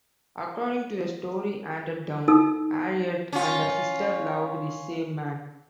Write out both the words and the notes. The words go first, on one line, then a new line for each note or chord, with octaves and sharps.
According to a story handed down, Harriet and her sister loved the same man.
D#4 A4 E6
C#4 F4